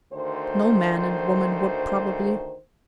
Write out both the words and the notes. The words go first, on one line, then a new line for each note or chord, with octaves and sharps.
No man and woman, would, probably.
D2 D#3 C5